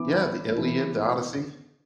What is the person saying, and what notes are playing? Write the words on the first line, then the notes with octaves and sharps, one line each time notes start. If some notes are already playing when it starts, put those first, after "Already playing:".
Yeah, the Iliad, the Odyssey.
Already playing: E3 B3 D6
E3 B3